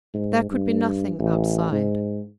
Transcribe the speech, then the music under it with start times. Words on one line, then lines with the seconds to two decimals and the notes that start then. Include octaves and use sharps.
There could be nothing outside.
0.14 G#2
0.51 G2
1.20 A1
1.72 G#2